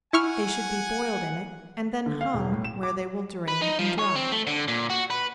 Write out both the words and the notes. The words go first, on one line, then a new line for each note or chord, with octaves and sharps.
They should be boiled in it, and then hung where they will drain and dry.
E4 F#5 G#5 C#6 F6
D3
F5
E1
A2
E7
D6
B4
D#4
F3
C#5
C4
A3
D3
A#2
F#4
B4